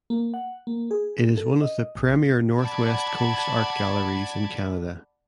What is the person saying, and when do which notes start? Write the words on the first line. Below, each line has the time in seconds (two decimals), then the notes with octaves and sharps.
It is one of the premier Northwest Coast art galleries in Canada.
0.10 A#3
0.34 F#5
0.67 A#3
0.91 G#4
1.37 A4
1.62 D#5
1.95 A1
2.59 D5 F#5 A5 B5 G#6